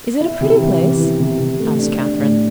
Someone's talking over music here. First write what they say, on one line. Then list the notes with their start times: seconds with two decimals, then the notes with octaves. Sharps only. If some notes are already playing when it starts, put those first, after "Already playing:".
"Is it a pretty place?" asked Catherine.
0.21 E4
0.41 C3
0.60 E3
0.81 E3
0.99 E3
1.20 C3
1.40 C3
1.60 A3
1.79 D4
1.99 D4
2.19 A2